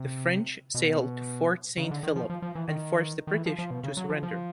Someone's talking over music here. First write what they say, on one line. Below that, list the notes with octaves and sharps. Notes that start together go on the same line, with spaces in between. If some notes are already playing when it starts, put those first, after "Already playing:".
The French sailed to Fort Saint Philip and forced the British to surrender.
Already playing: C3
B2
C#3
D#3
D3
D#3
F3
F3
F3
E3
D#3
D#3
E3
F3
F3
B2
C#3
F#3
F3
F3